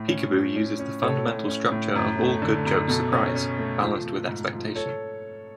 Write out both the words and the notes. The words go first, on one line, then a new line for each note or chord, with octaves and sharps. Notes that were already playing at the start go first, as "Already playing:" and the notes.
Peekaboo uses the fundamental structure of all good jokes-surprise, balanced with expectation.
Already playing: A2
C#4
F3
C#4
C#4
A2 A4 C#5
A2
C#4
A2
F#2
A3
D3
F#2
B2 A4
C#4
C#4
A3
F3
F3
G#2
F3
A4 C#5